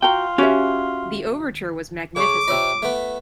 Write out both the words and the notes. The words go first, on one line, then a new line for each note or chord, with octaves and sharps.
The overture was magnificent.
F4 F#4 G5 A#5
C#4 F#4 G4 E5
C#3 A4 C#5 C#6 D6
C3 F4 C#5 D5 E6
A3 B3